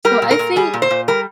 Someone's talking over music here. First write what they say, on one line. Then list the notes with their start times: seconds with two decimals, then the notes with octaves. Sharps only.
so I think
0.05 G3 A#4
0.22 A#2
0.31 A#4
0.39 A#2
0.56 G3 G#4
0.74 A#2
0.82 C5
0.91 A#2
1.08 G3 A#4